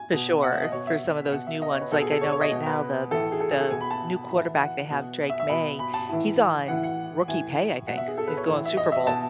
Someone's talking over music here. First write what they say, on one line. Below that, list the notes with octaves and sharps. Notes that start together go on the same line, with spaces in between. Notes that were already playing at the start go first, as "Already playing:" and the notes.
For sure, for some of those new ones, like, I know right now, the the new quarterback they have, Drake Maye, he's on rookie pay, I think. He's going Super Bowl
Already playing: G#5
B2
F#5
E5
D#5
B2 C#5
E5
B2 F#5
E5
D#5
C#5
B4
B2 A4
G#4
A4
C#5
C#5
D#5
B2
B4
A2 E3 A4
G#4
A4
G#4
A4
B2 G#5
B5
A5
A2 E3
F#5
B2
E5
E5
B2 B5
B5
A5
A2 E3
A2 E3 F#5
F#5
A2 E3 G#5
B2 F#5
E5
G#4
A4
B4
C#5
A2 E3
E5
D#5
E5
B2 A5